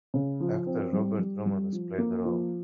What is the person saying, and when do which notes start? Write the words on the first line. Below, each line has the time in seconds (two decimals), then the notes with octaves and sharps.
Actor Robert Romanus played the role.
0.14 C#3
0.40 F3
0.67 C4
0.93 G3
1.19 G3
1.46 G3
1.72 F3
1.98 A#3
2.25 F3